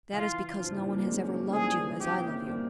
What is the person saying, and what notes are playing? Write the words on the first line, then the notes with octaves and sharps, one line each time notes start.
"That is because no one has ever loved you as I love you."
E3 F4
F3
E3 G3
G3 A#3
G3 A#3
G#3 C4
A#3 C#4
A#3 C#4
F3
E3 G3 G#4
C4 E4 G4
A#3 C#4
C4
G3 A#3